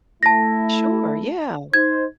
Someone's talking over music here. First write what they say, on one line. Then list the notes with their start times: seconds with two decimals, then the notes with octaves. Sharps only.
Sure, yeah.
0.23 A3 E4 A5 A#6
1.74 D#4 C5 G#6